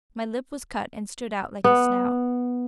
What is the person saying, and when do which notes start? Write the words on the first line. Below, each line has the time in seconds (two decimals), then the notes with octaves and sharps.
My lip was cut and stood out like a snout.
1.64 B3